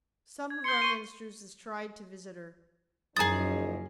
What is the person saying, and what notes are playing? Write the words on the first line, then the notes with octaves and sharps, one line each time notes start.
Some of our ministers has tried to visit her.
G#6
C6 G6 C#7
C#6 D#7
F#1 F#2 F3 D#4 G#4 A#5 D#6 A6